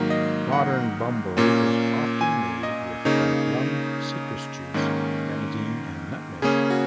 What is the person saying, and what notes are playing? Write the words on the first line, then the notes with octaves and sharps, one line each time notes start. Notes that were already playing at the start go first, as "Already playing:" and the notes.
Modern bumbo is often made with dark rum, citrus juice, Grenadine, and nutmeg.
Already playing: G#2 D#3 F#3 A#3
D#5
F#5
A#2 A#3 C#4
G#5
D#5
C#3 A#3 D#4 C#5
G#2 D#3 A#3 C#4
C#3 A#3 C#4 G#4
F#4